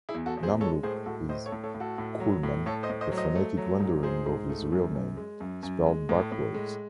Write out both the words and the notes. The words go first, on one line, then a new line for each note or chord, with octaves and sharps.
"Namlook" is "Koolman", a phonetic rendering of his real name, spelled backwards.
E4 G#4
E2
F#4 A4
E2
G#4 C5
G#3 A4 C#5
A2 G#4 C5
A2 F#4 A4
A2 C5 D#5
A4 C#5
A2
A4 C#5
A2
F#4 A4
A2
F#3
A2
A2 A4 C#5
C5 D#5
A2
C5 D#5
F#3
C5 D#5
A3
F#3
G#2
G#2 G#4 C5
G#2
A3
F#2
F#2
G#3
F#2
F#2
G#3
A2
A2
G#3